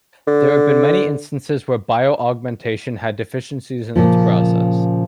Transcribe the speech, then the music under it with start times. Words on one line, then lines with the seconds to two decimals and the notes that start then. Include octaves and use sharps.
There have been many instances where bioaugmentation had deficiencies in its process.
0.27 D3
3.96 A#2 C#3 F3